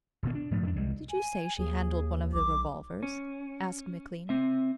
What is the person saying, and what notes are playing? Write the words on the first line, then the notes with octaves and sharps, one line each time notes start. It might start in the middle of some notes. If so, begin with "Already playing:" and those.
"Did you say she handled one of the revolvers?" asked McLean.
D#1 B2 A#3
D4
G#2 F3 A3
F2 C#4 D4
C2 G3 G#3
G#5
D#2 G#4
B1 D6
C#4
C4 E5